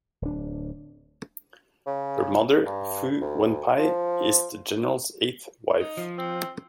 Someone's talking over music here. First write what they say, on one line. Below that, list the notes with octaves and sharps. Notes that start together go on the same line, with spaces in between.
Her mother, Fu Wenpei, is the general's eighth wife.
D1 D4
C#3
G2
D2
F3
D#4
F3
C4